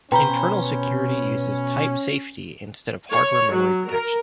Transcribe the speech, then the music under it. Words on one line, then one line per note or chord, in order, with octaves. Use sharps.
Internal security uses type safety instead of hardware memory protection.
B2 C#4 B4 C5 G5 A#5 B5
C#5
F#3
A#4